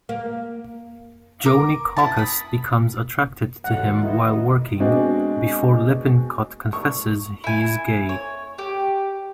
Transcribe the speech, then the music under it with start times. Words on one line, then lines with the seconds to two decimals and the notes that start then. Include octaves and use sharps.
Joanie Caucus becomes attracted to him while working before Lippincott confesses he is gay.
0.09 A#3
1.45 A#4 D6
1.96 E4 F#4 F#5 A5
2.17 B5 D#6
3.64 D#2 D#3 F#3 F4 A4 F#5
4.02 D#3 A3 E4 F#4 B4 D#5
4.80 B2 G#3 C4 D4 F#4
6.73 C#6
7.44 E4 G#5
8.09 C#5
8.58 G4